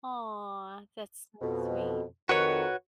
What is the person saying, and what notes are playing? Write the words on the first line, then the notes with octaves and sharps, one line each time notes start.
Aw, that's so sweet.
F2 B2
F2 D#3 F#4 B4 C#5